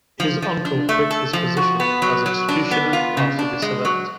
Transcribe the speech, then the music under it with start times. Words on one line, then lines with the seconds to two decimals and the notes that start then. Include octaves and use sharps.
His uncle quit his position as executioner after this event.
0.20 F3
0.42 F3
0.65 D4
0.89 A3
1.11 A4
1.33 F3
1.57 F#4
1.80 B3
2.02 F#3
2.26 F#3
2.49 D4
2.71 B3
2.93 F4
3.17 C#3
3.39 D4
3.62 G#3
3.85 F#3